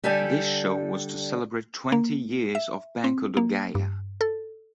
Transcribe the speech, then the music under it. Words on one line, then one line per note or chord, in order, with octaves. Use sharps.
This show was to celebrate twenty years of Banco De Gaia.
D3 G3 G4 A4 D5 G#5
A#3
E5
C4
A#3
G2
A4